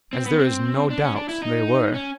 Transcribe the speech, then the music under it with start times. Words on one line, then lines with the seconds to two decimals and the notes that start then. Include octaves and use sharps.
As there is no doubt they were.
0.13 C4
0.26 B3
0.39 C4
0.90 D4
1.04 C#4
1.16 D4
1.29 E4
1.42 D#4
1.94 C#4